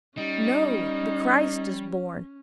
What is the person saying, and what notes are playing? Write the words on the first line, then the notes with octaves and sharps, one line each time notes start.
"No, the Christ is born."
G3 C#4 D#4